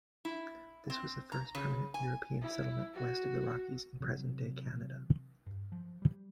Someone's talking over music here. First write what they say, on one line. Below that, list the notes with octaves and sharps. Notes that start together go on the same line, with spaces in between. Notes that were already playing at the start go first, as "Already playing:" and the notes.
This was the first permanent European settlement west of the Rockies in present-day Canada.
E4
C4
A#5
C#3
G#5
E4
F#4
C3 E3 F#3
G2
F3
G3